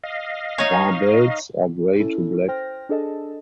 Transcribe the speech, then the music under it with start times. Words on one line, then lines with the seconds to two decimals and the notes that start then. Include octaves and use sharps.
Barbels are grey to black.
0.04 D#5 F5
0.58 D#4 C#5
2.00 C#4 E4 A4
2.48 C5 G5 F6 A#6
2.89 D4 G#4 A4 D#5 A5